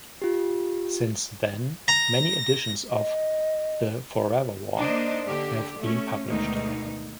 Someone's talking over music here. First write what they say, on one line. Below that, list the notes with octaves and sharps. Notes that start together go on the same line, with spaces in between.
Since then, many editions of "The Forever War" have been published.
F4 G4
A#5 A#6
D#5
A#3 D4 D#4 C5 D#5
D3 G4
A3 C#4
D2 B2 D#3 G#3 D#4